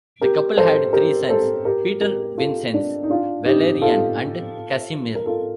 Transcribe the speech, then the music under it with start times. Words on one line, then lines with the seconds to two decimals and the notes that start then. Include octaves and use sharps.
The couple had three sons: Pieter Vincenz, Valerian, and Casimir.
0.21 G4 A#4
0.57 A4 C5
0.93 G4 A#4
1.29 A4 C5
1.65 G4 A#4
2.01 G4 A#4
2.38 F4 A4
2.74 D4
3.03 D#4
3.10 D4 F4
3.46 D#4 G4
3.82 F4 A4
5.15 A#4
5.26 F4 A4